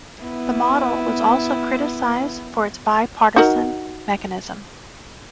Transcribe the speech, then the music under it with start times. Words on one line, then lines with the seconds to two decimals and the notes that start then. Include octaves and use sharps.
The model was also criticised for its bi-partisan mechanism.
0.23 B3 E4
3.36 D#4 F#4 A#4